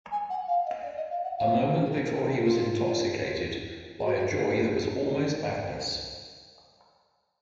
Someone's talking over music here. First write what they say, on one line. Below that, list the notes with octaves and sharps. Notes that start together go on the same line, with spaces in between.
A moment before he was intoxicated by a joy that was almost madness.
G#5
F#5
F5
D#5
D5
D#5
F5
F#5
F5
G#4
A#4
F4
G#4
F#4
F#4
G#4